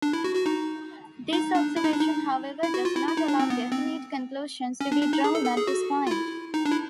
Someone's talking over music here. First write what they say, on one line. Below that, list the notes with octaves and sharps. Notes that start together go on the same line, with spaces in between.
This observation however does not allow definite conclusions to be drawn at this point.
D4
E4
F#4
F#4
D#4
D#4
D4
E4
D#4
D4
D#4
E4
F#4
F4
E4
E4
D#4
D4
C4
B3
C4
C#4
D4
D4
D#4
G#4
A4
A4
G#4
F#4
F4
E4
D#4
D4
E4